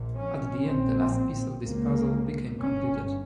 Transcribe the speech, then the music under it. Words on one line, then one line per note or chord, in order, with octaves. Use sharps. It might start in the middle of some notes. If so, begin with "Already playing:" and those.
At the end the last piece of this puzzle became completed.
Already playing: A#1 A#2
C#4
A#1 A#2 C4
C#2 C#3 A#3
G1 G2 C#4